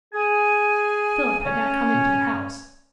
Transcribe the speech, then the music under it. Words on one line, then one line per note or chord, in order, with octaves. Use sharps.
Philip had not come into the house.
G#4 G#5
C#4